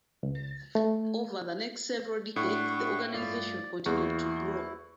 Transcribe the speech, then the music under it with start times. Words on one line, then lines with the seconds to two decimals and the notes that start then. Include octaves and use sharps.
Over the next several decades the organization continued to grow.
0.23 C#2
0.75 A3
2.36 A2 D4 F#5 C#6
3.14 G2 A3 F4 D5
3.86 E2 E3 A#3 E4 C#6